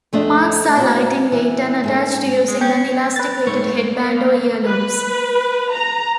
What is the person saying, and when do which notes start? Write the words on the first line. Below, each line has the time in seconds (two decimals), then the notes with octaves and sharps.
Masks are light in weight and attached using an elasticated headband or ear loops.
0.13 F2 A3 D4 D#5
0.77 C4 E4 F#4
1.32 E3
1.84 G#2 A3 C#4
2.48 G#3
2.61 C#4 G5
2.99 C4
3.16 B4 A6
3.47 G#2 A3 C#5
3.93 A#3
4.65 B4
5.71 A#5